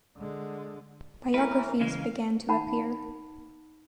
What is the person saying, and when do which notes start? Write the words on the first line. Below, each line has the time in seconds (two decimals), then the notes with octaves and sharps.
Biographies began to appear.
0.16 D3 G#3
1.34 E3 A3 E4 A#4 B4
1.80 C#3 E3 G#3 F5
2.48 D#4 F#5 A5 B5